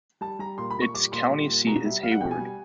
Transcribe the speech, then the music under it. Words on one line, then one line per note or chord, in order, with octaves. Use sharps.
Its county seat is Hayward.
G3 A5
G3 A#5
A#2 C6
B5
A#2
C#6
G3 D6
A#2 C6
G3
A#2
B2 A#5
G3 E5
G3 F5
F#5
B2 G5
G#5
G3